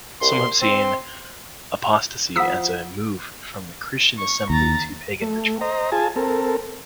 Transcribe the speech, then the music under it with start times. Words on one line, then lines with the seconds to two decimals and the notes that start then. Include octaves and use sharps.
Some have seen apostasy as a move from the Christian assembly to pagan ritual.
0.21 C2 C6
0.62 C4 C6
2.36 F3 E4 F4 F#5 D#6 E6 B6
4.18 C#6
4.50 D#2 A#5 A6
5.22 A3
5.61 C5 D#5 A#5
5.92 F4 G#4 G#5 A5
6.16 C4 A4 A#4